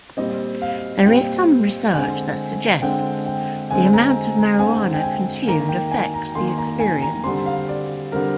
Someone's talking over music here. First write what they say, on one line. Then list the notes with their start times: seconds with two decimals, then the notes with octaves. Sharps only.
There is some research that suggests the amount of marijuana consumed affects the experience.
0.17 A#2 G3 C4 D#5
0.62 F5
1.06 A#2 G3 C4 G5
1.94 D3 G#3 C4 G#5
2.82 D3 G#3 C4 G5
3.26 G5
3.71 D3 G#3 C4 G#5
3.93 A#5
4.37 A#5
4.59 D3 G#3 C4 G#5
4.94 G5
5.03 G#5
5.47 D#3 A#3 A#5
5.69 G5
5.92 G#5
6.14 A#5
6.35 D#3 A#3 C6
6.58 A#5
6.80 G#5
7.02 A#5
7.24 D3 G3 C4 C6
7.46 F5
7.68 D5
8.12 D3 G3 C4 A#4